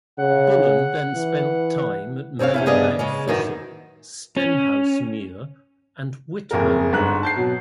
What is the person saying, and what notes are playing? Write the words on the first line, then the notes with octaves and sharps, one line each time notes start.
Bullen then spent time at Meadowbank Thistle, Stenhousemuir and Whitburn.
C#3 F#5
E3
C4 G#4 A4 C#5 F5
E2 C#4 E4
G2 B3 G#4 D5 D#5 F5
C#3 G#3 C#4
F#2 D#3 E3
C#4
F#1 F2 G#4 A#4
G1 G#2 F#6
A5 G6 C7
B2 F#3